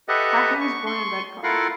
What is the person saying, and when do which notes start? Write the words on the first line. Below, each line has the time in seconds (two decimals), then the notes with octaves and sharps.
Hackney was born in Redcar.
0.08 G4 A4 B4 D#5 E5 F#5
0.61 C#6
0.86 C6 C#6
1.44 E4 F4 A4 A#4 F5 F#5